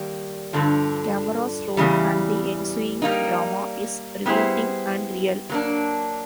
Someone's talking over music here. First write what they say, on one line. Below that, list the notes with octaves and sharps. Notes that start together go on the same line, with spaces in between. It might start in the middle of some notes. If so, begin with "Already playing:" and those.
Cameras roll and the ensuing drama is riveting and real.
Already playing: D#3 G3 A#3
G2 D3 F3
E2 C#3 E3 G3
G3 A#3 D#4
G3 B3 E4 G#4 C5
F#3 A#3 D4